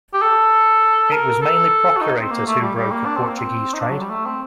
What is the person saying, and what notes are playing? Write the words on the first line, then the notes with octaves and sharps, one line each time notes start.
It was mainly procurators who brokered Portuguese trade.
G4
A4
A#4
A4
F#4
D#4
C4
A#3
A3
G3
G3
A#3
D4
C4
A#3
C4
D#4
D4
F#3
G3
A3
C4